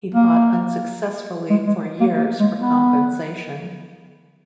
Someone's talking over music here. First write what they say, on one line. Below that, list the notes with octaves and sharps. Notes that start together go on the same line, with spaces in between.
He fought unsuccessfully for years for compensation.
A#3
G#3
G#3
A#3
A#3
G#3
B3